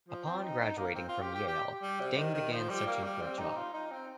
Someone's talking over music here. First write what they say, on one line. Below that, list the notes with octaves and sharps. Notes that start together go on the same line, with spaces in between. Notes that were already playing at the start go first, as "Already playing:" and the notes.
Upon graduation from Yale, Deng began searching for a job.
F3
C4
D#4
D#4
A#3
C4
F4
G4
G4
G4
G3
C3
D#3
D#3
F3
G3
A#3
G3
C4
D#4
F4
D#4
C4